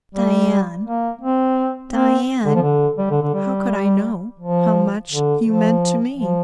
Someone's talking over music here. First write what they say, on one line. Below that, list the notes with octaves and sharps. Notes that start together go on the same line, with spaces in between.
Diane, Diane, how could I know how much you meant to me?
G3
A#3
C4
C4
D3
F3
D3
G3
D3
D3
G3
F3
D3
F3
F3